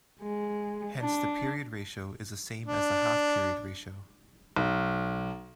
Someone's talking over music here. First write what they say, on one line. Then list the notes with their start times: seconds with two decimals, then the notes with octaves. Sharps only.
Hence the period ratio is the same as the "half-period ratio".
0.22 G#3
1.00 D4
2.66 D4
4.56 B1